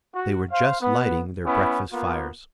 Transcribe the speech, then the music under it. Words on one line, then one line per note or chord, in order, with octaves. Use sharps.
They were just lighting their breakfast fires.
F#4
C5 F5
B3
B3 C#4 E4
A#3 B3 F4